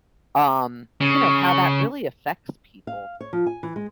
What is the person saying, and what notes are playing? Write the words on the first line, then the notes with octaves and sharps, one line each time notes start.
um, you know, how that really affects people,
C#3
F5
C#5
F3
G#5
E3
G#3